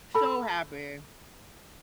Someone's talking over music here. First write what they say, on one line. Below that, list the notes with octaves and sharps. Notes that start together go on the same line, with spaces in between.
So happy.
A4 B5